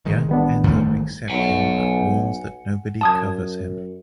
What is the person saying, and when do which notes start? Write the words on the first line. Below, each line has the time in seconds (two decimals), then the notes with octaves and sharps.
Young ends up accepting but warns that nobody covers him.
0.05 A1 D#3 G#3
0.29 G3 B3 D4
0.64 G2 A3 A#3
1.30 B1 F#5 G#5
3.01 F#2 A5 D#6 G#6